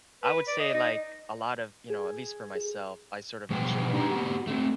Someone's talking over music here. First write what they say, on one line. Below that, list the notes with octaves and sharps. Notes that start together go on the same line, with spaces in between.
I would say, like, a lot of you know, at least for myself, I sort of enjoy
B4
D5
D#5
D#4
G#4
B2 F3 B3 B4 G5
D4 D#4 G4 D5 A#5
B3 F#4 G4
A3 C4